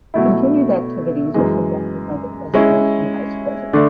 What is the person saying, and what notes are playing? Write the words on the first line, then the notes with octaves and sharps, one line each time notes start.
Continued activities are conducted by the President and Vice-President.
B2 F#3 A3 E4
F#2 E3 G#3
G#3 C#4 E4
D3 A3 D4